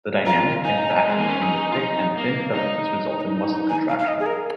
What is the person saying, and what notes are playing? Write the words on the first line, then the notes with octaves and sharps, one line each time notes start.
The dynamic interaction between the thick and thin filaments results in muscle contraction.
F4 A#5
D#4 G#5
A#5
G#5
G#3
A#3
C#4
D#4
F4
D#4
A#3
D#4
G#5
F5
F5
D#5
G#4
A#4